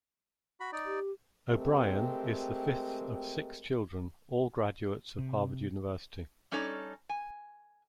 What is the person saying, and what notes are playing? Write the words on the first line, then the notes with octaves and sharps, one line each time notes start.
O'Brien is the fifth of six children, all graduates of Harvard University.
F#4 B5
D#4 D5
G4
G#3 A3 C4 G4 A#4
C3
G3 C#4 D#4 A4 C#5 D5
G#5